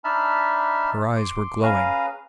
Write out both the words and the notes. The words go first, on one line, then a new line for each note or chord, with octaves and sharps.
Her eyes were glowing.
D4 D#4 E5 A5 B5 F6
C6 D6
C#4 G#4 B4 F5 A#5 D#6